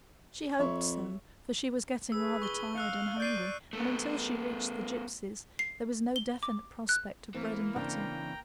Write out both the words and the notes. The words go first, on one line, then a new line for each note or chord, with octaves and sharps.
She hoped so, for she was getting rather tired and hungry, and until she reached the gypsies there was no definite prospect of bread and butter.
F2 C#5 E5 C#6
G#4 B4 E6
C#6 G7
F5 E6 F#6 C#7
D5 G6 C7 D#7
A3 B3
C7
G7
D6
F#6
E3 A#3 C4
C#3 C4 D4 G5 A#5